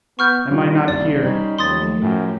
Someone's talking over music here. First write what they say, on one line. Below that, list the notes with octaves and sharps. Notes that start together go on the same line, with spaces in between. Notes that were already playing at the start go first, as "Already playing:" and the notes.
Am I not here?
B3 C#6 F6 G6
B2 G3 C#4 F4
C2 F#2 A#3 D4 D5 B5 C6
G3 C#4 D#4 C5
D#2 F3 F#3 A3 C6 D#6 A6
F#2 A2 G4